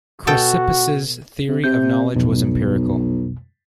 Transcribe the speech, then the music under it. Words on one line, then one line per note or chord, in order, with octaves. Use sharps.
Chrysippus's theory of knowledge was empirical.
B2 F#4 A4 G5
C3
C3 G6
B1 F2 B2